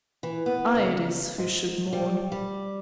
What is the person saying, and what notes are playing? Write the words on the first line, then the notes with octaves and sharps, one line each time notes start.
I it is who should mourn.
E3
B3
C#3
G#2
G3
G3